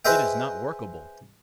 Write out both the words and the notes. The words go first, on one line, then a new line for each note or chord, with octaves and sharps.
It is not workable.
G#4 B4 C5 D#5 E5 G5